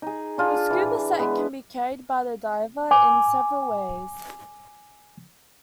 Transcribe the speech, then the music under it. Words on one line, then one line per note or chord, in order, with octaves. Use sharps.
The scuba set can be carried by the diver in several ways.
D#4 G#4
D4 F4 G#4
E3
G#3 B3
G#5 D6